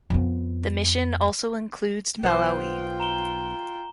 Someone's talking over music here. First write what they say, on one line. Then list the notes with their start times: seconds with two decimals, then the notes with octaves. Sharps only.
The mission also includes Malawi.
0.10 F2 B3
2.23 B1 B3 F4 C5 G5
3.00 A#5 E7 G7